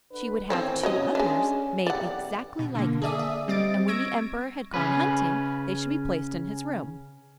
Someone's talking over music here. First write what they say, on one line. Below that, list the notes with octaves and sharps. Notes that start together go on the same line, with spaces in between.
She would have two others made exactly like them, and when the emperor had gone hunting they should be placed in his room.
D3 B4
A2 D#3 E3 C4 C5 C#5
C#4 F#4 C#5 D#5
G#3 B3 D4
B1 E2 G4 D5 F#5
B2
D3 A#3
G#4 A4 D5 E5 D#6
E5
G3 C4 D#5 A6 D7
C#6 E6 G#6 A#6 D7
C#3 C#4 B4